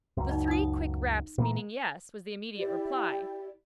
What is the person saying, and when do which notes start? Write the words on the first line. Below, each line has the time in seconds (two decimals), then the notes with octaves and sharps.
The three quick raps meaning "Yes" was the immediate reply.
0.17 C#2 F#2
0.29 D#4 D5
0.48 D#4 D#6
1.38 A#2 E3 A#3
2.56 E4 G4 D5